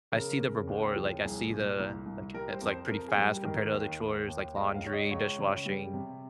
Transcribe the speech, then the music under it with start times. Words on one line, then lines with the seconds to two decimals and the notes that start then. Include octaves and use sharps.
I see the reward, like, I see the like, it's like pretty fast compared to other chores like laundry, dishwashing.
0.12 C#3 A#4
0.40 C#3
0.67 D#2
0.96 F3
1.23 C2 G#4
1.51 A#2
1.79 C2
2.06 C2
2.34 G3 A#4
2.52 C5
2.62 F2
2.71 C5
2.89 F2 A#4
3.08 G#4
3.17 G3
3.27 A#4
3.45 D#3 A#4
3.73 D#2
4.00 D#2
4.28 D#2
4.56 C#2 D#5
4.74 F5
4.83 C#2 C#5
4.93 D#5
5.11 C#2 C#5
5.38 C#3
5.66 G3
5.93 C3